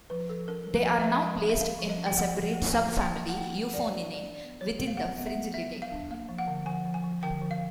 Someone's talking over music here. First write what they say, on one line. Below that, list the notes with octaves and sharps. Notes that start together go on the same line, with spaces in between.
They are now placed in a separate subfamily Euphoniinae within the Fringillidae.
F3 B4
F3 A4
C#4 A#4
F3
B4
F3
E5
F3 F5
G#3
C#4
E5
C#4 F5
F3
D#5
C#4
G5
F3 F#5
F3
A#3
F3 G#5
A#3
G5
F3
F3 F#5
G5
A#3 F#5
C#4
D5
D4 C#5
F#3
D5
D4
B3
F#3 C#5
B3
F5
F#3 F#5
B3
E5
F#3
B3 E5
F#3
F5
D4
A#3 F5
F3
F#5
D3
F3 G#5
F3
G#5
F3
D3 G5
F3
F5